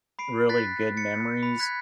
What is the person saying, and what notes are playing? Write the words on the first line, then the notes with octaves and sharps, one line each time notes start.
really good memories,
B5 C7 D7
F#6 A6 B6
A6 C#7
B5
F#6 G#6 B6